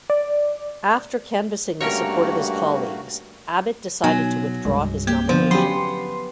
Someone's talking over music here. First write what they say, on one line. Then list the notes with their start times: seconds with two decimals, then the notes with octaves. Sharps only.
After canvassing the support of his colleagues, Abbott decided to withdraw his nomination.
0.10 D5
1.81 G2 A3 A#3 C#4 F#4 A#4 C#5
4.04 B2 F#3 D#4 G#5
4.65 C2 G2 G#3
5.07 A#3 G4
5.29 D3 F3 B3 C5
5.51 F#3 B3 C#4 G4 C6